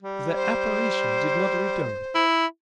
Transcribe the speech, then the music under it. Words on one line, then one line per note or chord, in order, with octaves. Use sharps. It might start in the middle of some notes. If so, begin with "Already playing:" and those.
The "apparition" did not return.
G3
C5
E4